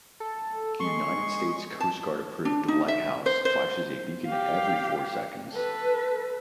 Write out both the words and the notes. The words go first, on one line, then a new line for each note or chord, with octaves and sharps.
The United States Coast Guard-approved lighthouse flashes a beacon every four seconds.
A4
G#3 C6 C#6
A5
D4
D#4
E5
C5
C5
G4 F5
A4 B4